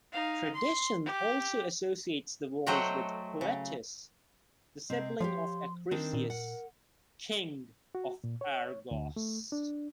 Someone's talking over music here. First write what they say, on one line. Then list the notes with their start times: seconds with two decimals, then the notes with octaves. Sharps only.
Tradition also associates the walls with Proetus, the sibling of Acrisius, king of Argos.
0.12 D#4 F5
0.54 C6
1.06 G4
2.66 F#3 A3 C5 D#5 F#5 G5
3.41 C#3
4.90 C3 C4 D#5
5.20 F3 G4 C#5 F5 C6
5.91 D#3 C4 D4 A#4
6.13 A#2
6.30 F#5
7.95 F#4
8.24 A#2
8.41 C#5
8.91 D2
9.16 A3
9.52 D4